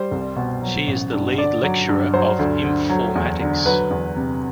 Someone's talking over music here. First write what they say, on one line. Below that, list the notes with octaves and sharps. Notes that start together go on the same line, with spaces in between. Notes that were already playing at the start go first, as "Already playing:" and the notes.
She is the lead lecturer of informatics.
Already playing: G3 C5
C2
B2
F#3
A1
G2
D3 D5
F#3
G2
F#3 C5
D2
D3
F#3
E2
D3
F#3 B4
E2
C3